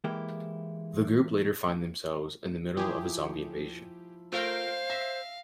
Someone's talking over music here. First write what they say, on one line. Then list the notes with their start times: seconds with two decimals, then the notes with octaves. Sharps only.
The group later find themselves in the middle of a zombie invasion.
0.04 E3 G#3 A#3 E4 G4
2.77 F3 E4 G4 G#4
4.32 A3 F4 A#4 C5 F5 G5
4.90 E5 A#6